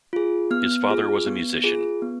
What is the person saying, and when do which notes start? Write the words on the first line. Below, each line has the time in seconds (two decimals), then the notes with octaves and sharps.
His father was a musician.
0.13 F4 G#4
0.51 B3 F6
0.89 F4 G#4
1.27 B3
1.64 F4 G#4
2.02 B3